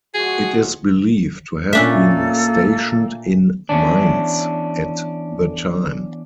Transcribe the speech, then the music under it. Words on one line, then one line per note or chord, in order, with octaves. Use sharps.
It is believed to have been stationed in Mainz at the time.
F3 G#3 F#4 G#4
A#2 A3 A#3 C#4 D4 A4 E5
E2 C#4 D4